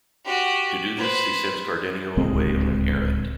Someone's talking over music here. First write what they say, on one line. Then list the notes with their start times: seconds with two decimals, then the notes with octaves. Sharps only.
To do this, he sends Cardenio away on an errand.
0.24 F#4 G4
0.97 B4 C5
2.17 D1 C#2 G#3 C4